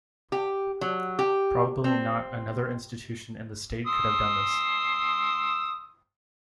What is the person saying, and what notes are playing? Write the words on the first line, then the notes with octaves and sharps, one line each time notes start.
Probably not another institution in the State could have done this.
G4
F#3
G4
C4
C6 D#6 E6